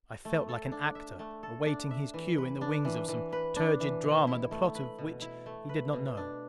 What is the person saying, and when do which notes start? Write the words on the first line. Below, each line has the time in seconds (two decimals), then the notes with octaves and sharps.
I felt like an actor awaiting his cue in the wings of some turgid drama the plot of which he did not know.
0.25 A3
0.49 A4
0.72 D4
0.95 E5
1.19 A3
1.43 A4
1.66 D4
1.91 E5
2.14 E3
2.38 B4
2.61 D4
2.85 E3
3.08 E3
3.33 B4
3.56 D4
3.80 E3
4.03 B2
4.27 E4
4.51 A3
4.75 B4
4.98 B2
5.22 E4
5.46 A3
5.69 B4
5.93 B2
6.17 D4